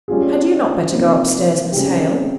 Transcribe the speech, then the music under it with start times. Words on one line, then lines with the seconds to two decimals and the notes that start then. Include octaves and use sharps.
'Had you not better go upstairs, Miss Hale?'
0.08 G3 C#4 F4 G#4
0.91 C3 F3 A#3 D#4
1.72 C#3 G3 C4 G4